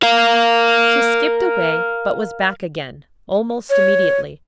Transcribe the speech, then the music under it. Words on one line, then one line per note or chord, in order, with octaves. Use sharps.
She skipped away, but was back again almost immediately.
A#4 F5
C#5